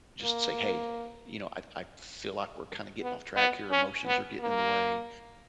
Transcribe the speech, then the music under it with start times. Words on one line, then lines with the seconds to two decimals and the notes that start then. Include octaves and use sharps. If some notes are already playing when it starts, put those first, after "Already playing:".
just say, "Hey, you know, I I feel like we're kinda getting off track here, emotions are getting in the way,
0.23 A#3
3.02 B3
3.37 B3
3.71 C#4
4.06 B3
4.40 A#3